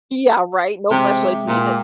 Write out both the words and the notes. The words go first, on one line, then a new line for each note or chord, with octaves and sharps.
Yeah, right. No flashlights needed.
C3 G#3 G4
E5
A#2